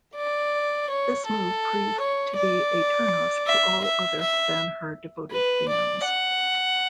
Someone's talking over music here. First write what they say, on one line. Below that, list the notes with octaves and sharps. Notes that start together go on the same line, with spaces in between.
This move proved to be a turn-off to all other than her devoted fans.
D5
C#5
A4
C#5
D5
E5
E5
E5
B4
D5
F#5